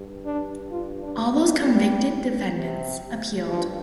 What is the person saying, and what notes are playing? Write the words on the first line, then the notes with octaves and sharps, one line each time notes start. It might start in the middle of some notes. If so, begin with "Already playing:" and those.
All those convicted defendants appealed.
Already playing: G2
D4
F4
D4
C4
G3
C3
G2 F3